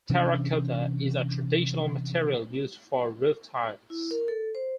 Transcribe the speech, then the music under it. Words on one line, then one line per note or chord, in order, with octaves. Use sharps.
Terracotta is a traditional material used for roof tiles.
C3 E3 C#4 D4
E4
A#4
A4
C5